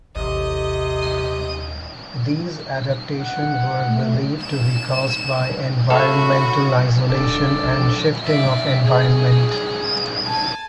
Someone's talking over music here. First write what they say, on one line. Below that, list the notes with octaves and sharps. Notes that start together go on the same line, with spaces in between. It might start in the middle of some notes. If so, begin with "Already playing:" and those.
These adaptation were believed to be caused by environmental isolation and shifting of environment.
A1 D#2 C3 D#5
F#5
A3
E7
F#4 A4 C#5 E5 F5 B5
D#1 D4 A4
A#1
F3
D5 E5
G#4
G#5 A5